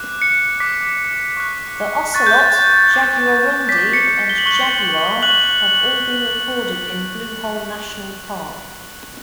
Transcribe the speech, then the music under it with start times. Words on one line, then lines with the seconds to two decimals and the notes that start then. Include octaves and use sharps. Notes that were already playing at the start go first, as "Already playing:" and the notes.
The ocelot, jaguarundi, and jaguar have all been recorded in Blue Hole National Park.
Already playing: D6 F#6
0.22 C#7
0.60 D6 F#6 B6
1.37 C#6 F#6
2.14 C#6 F#6 A6
2.26 G6
2.40 A6
2.91 D6 G6
3.68 G6 B6
3.72 D6
3.93 C#7
4.29 G7
4.38 F#7
4.46 C#6 F#6 G7
5.22 C#6 F#6 F#7